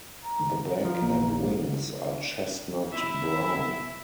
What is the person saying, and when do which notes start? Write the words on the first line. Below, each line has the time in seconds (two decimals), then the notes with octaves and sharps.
The back and wings are chestnut brown.
0.24 A#5
0.84 F3
1.02 A#1 A#3
2.92 E4 E5